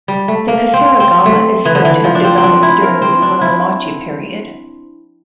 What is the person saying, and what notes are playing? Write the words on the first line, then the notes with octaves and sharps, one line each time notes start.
The kusarigama is said to have developed during the "Muromachi period".
G3
A3
A#3
C4
C4
A3
E3
D3
E3
F3
D4
C4
C4
D4
E4
A#4
C4
D4
E4